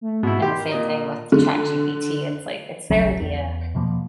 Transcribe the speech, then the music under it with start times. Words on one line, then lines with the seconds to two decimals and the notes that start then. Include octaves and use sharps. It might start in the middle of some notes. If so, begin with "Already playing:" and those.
and the same thing with ChatGPT, it's like, it's there to be a
0.01 A3
0.23 G#2 B2 E4
0.42 G4 C6
0.58 A#4
0.72 A#2 D#5
1.32 D3
2.90 E1 A#1 C#3 F#3
3.21 E2
3.75 B2 F3 A#3